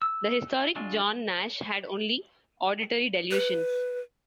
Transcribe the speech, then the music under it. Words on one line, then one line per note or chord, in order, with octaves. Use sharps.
The historic John Nash had only auditory delusions.
E6
F#3 G#3 D4 F4
B4